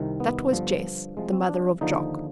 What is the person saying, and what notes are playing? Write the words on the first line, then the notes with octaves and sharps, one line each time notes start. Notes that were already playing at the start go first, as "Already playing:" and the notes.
That was Jess, the mother of Jock!
Already playing: C2 C3 D#3
B3
G2 D3 F3
C2 C3 F3 G#3
C4
D4
D#2 D3 F3 D#4